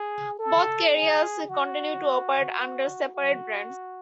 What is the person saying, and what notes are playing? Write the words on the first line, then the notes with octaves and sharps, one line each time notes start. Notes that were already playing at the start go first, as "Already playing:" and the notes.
Both carriers continue to operate under separate brands.
Already playing: G#4
A4
G#4
F#4
F#4
F#4